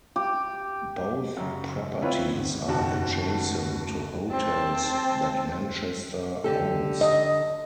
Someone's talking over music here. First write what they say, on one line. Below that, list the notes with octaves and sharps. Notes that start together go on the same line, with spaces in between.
Both properties are adjacent to hotels that Manchester owns.
G4
F#2 C#3
C4 E4 F4 B4 C#5
G#1
F#1 B2 D#3 F#4 A5
C4 A5
D3 G4 A4
D#5